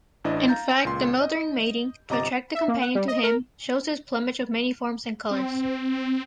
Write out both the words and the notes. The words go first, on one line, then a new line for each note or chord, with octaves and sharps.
In fact the male during mating, to attract the companion to him, shows his plumage of many forms and colors.
A1 D4 E4 D#5
F5 A#5 G6 A6
C#2 A#2 C6
D#5
G1 C3 D#5 A#5 D6 A6
E5
A#3
F#5
G3
D#5
A#4
C4